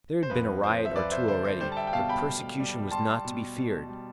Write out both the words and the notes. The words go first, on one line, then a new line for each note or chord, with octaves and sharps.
There had been a riot or two already. But persecution was not to be feared.
C5
F2 B4
F3 C5
E5
F2 B4 D5
C5 E5
D3 C5
C5
G3 C5
A5
E5 G5
G5
B2 F5 A5
G5 B5
B2
G3
G3 A5 C6
B2
B2
G3